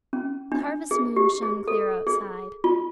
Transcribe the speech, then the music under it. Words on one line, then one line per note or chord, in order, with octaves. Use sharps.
The harvest moon shone clear outside.
C#4
D4
G#4
G4
G#4
A4
G#4
F4